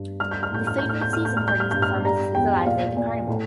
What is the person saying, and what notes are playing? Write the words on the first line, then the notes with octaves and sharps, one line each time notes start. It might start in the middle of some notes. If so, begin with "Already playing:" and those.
The favorite season for these performances is the last day of the Carnival.
Already playing: G2
G3 F6
G6
F6
A2 G6
F6
A2 G6
F6
G6
A2 F6
G6
F6
G3 G6
F6
G2 G6
F6
G3 A#5
E2 G5
A#2 F5
A#2
A2